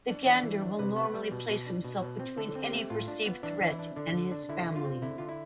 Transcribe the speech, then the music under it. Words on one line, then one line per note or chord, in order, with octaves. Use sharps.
The gander will normally place himself between any perceived threat and his family.
D4
E3 D4
E3
E4
D4
C3 B4
B3
B4
G3
B2
B2
D4
B2
B2
C4
D3 A4
C4
G4
A3
A2 F4
D4
B3
E3 D4
E3
E4
D4
D3 D4
D3
D4
D3 E4
D3
F4
C4
D3 E4
D3 F4
E4